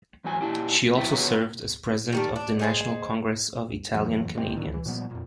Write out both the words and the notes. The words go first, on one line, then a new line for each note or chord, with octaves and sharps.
She also served as president of the National Congress of Italian-Canadians.
E2 G#2 F#3 G#5
A#2 D4 E4 G4
C3 F#3 D4 E4 E5 G5
B3 F4 F#4 B4 C#5 A#5
D#3 G3 A3
D4
D#4 G#4 C5
F2 E3 F#3
C3 G#3 A3 C4
A2 D3 D#3
E3
A#2 F3 G3 B3
F2 A#2